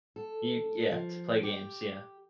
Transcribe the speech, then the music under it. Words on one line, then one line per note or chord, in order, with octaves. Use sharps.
E yeah, to play games, yeah.
A4
F3
G4